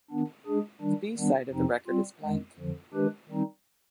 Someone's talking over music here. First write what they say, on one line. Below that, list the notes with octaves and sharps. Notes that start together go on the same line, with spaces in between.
The B-side of the record is blank.
D#3 B3 D4
G#3 D4 G#4
D#3 G3 D4
D#3 G3 B3 D4
F2 C3 F3 C4 D#4
G3 C4 F4
F2 D#3 G#3
F2 D3 F3
D#3 G#3 D4 G4 B4
D#3 G3 C4 D#4